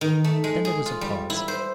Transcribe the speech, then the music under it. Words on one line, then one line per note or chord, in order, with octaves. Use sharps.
Then there was a pause.
D#3
A3
G#3
G#4
F4
G3
E4
C5